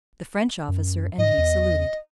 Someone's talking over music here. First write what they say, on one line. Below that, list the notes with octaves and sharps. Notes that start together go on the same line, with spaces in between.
The French officer and he saluted.
F#2
G#2 D#5
E2